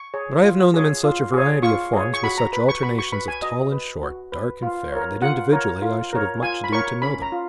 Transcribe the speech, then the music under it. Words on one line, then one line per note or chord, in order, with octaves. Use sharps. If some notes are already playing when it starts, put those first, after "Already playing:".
But I have known them in such a variety of forms, with such alternations of tall and short, dark and fair, that, individually, I should have much ado to know them.
Already playing: C#6
G#4 C#5
F4
G#4 C#5
F4
G#4 C#5
F4 C#6
G#4 C#5
C#6
F#4 B5
A#5
B4 B5
C#6
F#4 B5
C#6
B4 B5
G#5
F#4 D#5
B4
F#4
B4
F4
A#4 C#5
F4 F#5
A#4 C#5
F4
A#4 C#5
F4 G#5
B5
A#4 C#5 C#6
C#4 B5
A#5
F4